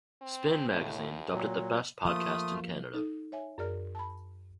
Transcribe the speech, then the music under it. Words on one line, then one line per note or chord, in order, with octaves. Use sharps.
"Spin" magazine dubbed it the best podcast in Canada.
C4
D#2 A2 A3
A#2 F#3
F3 A3 A#3 F4 D#6
D#4 A4
C#5 E5 G#5
F#2 G#4 A#4 D5 F6
A5 B5